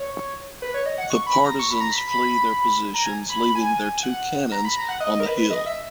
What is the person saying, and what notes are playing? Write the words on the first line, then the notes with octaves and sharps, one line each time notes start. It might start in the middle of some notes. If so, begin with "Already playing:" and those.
The Partisans flee their positions leaving their two cannons on the hill.
Already playing: C#5
B4
C#5
D#5
F#5
C#6
B5
A#5
C#6
B5
A#5
B5
B5
A#5
G#5
B5
B5
G#5
F#5
A#5
B5
A#5
F#5
D#5
D#5
A#4
B4
B4
D#5
E5